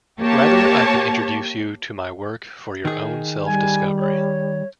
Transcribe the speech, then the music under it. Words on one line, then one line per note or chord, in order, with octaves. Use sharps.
Rather, I can introduce you to my work for your own self discovery.
A#3 G4 C#5 A5
D#3 G#4
G3 G#5
C#5